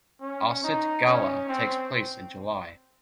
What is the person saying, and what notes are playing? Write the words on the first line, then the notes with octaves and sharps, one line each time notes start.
Ossett Gala takes place in July.
C#4
D#4
C#4
C4